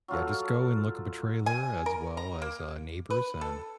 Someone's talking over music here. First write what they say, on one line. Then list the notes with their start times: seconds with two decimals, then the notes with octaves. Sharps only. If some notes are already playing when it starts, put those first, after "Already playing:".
yeah, just go and look up a trailer as well as, uh, Neighbors, and
0.08 F#3 F4 A4
1.46 G#5
1.86 A#4
2.17 A#5
2.42 A#3
3.10 B4
3.41 A4